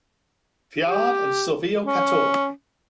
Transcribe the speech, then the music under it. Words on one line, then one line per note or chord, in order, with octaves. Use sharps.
Theard and Silvio Cator.
G4
C#4